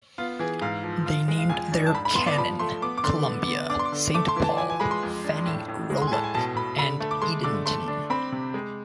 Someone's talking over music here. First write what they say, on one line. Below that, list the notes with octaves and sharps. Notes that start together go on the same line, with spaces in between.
They named their cannon: "Columbia", "Saint Paul", "Fannie Roulac", and "Edenton".
B3 F4
E3 G#4
G#2 F5
F3
F4
G#3
F5
F2 G#5
D4
A5
G#2 B5
B5
B3 C6
D5
F3 B5
A3 C6
B3 D6
D6
D3 C6
B3
B3
D4 D6
C6
D6
D3
A3 D6
C6
E3
A5
F3 G#5
G#5
G#3 B5
C6
F2
D4
A2
A2
G#3
C6
G#5
A2 A5
G#5
B2 A5
B2 B5
D3 B5
A3
D6
G#3 C6
D3 D6
A3 C6
D4
C4 B5
C3
G#3